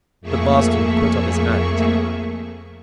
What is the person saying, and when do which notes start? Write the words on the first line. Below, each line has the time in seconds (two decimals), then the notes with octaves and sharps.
But Marsden put up his hand.
0.21 F2 A3 A#3 G#4 E5 C#6